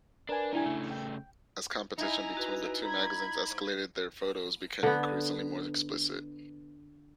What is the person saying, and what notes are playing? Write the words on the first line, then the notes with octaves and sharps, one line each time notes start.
As competition between the two magazines escalated, their photos became increasingly more explicit.
D4 A#4 B4 G#5
G3 D4 E4 A#4 G#5
C#3 A3
G5
D#4 E4 G#5 A#5
F#4 B4
A#5 B5 G#6
D3 B3